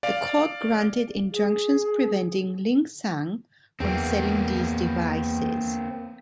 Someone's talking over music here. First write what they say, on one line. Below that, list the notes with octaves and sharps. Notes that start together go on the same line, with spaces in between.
The court granted injunctions preventing Lik-Sang from selling these devices.
D5 F5
G#4
E2 A#3 C4